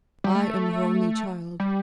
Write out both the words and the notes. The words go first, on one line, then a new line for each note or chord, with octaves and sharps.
I am her only child.
G3
A3
G3